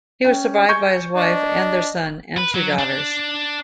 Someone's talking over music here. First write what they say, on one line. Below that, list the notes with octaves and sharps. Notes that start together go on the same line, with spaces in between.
He was survived by his wife, and their son and two daughters.
C#4 G5
G#5 C#6 G6 G#6
D4 D#5
B4
F#3
D4